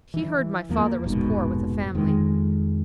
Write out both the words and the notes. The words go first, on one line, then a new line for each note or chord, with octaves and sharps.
He heard my father was poor, with a family.
E3
E2 F3 A#3
F1 A#1 G#2 B2
F2 D#3 G#3